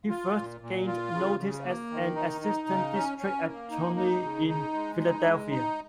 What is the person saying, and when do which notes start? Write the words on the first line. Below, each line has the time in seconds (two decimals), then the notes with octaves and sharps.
He first gained notice as an assistant district attorney in Philadelphia.
0.09 F4
0.34 A#2
0.60 A#2
0.86 F4
1.12 C#3
1.38 C#3
1.64 A#3
1.90 D#3
2.15 D#4
2.41 D#4
2.68 C#3
2.93 C#4
3.18 C#4
3.44 A#3
3.71 D#4
3.96 D#4
4.22 C#3
4.47 D#4
4.73 G#3
4.99 D#4
5.25 G#3
5.51 D#4